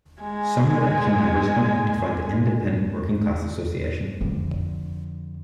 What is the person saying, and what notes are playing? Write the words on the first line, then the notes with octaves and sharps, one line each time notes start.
Some Red Action members went on to found the Independent Working Class Association.
G#3 G#5
F2 D3